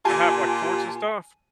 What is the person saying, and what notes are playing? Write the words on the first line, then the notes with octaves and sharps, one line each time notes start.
I have, like, forts and stuff,
A#2 F4 G4 G#5 A5